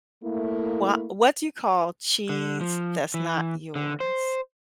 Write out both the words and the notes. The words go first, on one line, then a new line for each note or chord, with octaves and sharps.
wha what do you call cheese that's not yours?
A3 A#3 E4
D3
F3
E3
D3
C5